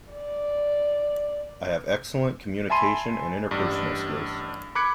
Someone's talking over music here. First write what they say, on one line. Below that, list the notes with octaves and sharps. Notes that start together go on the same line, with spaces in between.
I have excellent communication and interpersonal skills.
D5
E5 G#5 A5 B5 C6 D#7
A1 G2
B5 D6 F#6 G#6 C#7 D7